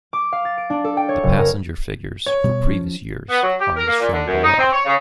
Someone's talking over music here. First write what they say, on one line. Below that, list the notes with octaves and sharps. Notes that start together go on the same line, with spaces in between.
The passenger figures for previous years are as shown below.
D6
F5
A6
D7
D4
A4
G5
C#5
F#1
A#4
C#5
B2 G3
F3 C#4
B3
F#3
G4
A#4
A#3
A#2
D3
F#2
D#4
C4
C#5
C#3